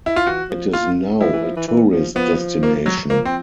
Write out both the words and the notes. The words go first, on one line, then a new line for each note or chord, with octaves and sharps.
It is now a tourist destination.
E4
F4
E3 F#4
F3
F4
F3 E4
E3
F3
E3
E3
F3
F3 B3
A#3
F#3
F3 A#3
C4